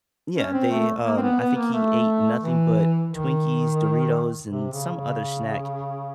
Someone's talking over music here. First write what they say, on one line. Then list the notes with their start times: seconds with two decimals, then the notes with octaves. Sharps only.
Yeah, they, um, I think he ate nothing but Twinkies, Doritos, and some other snack
0.36 C#4
0.53 C4
0.71 A3
1.05 A#3
1.17 C4
1.22 B3
1.40 B3
1.57 A#3
1.73 A3
2.42 E3
3.11 D#3
4.49 C3
4.72 C#3
4.95 C#3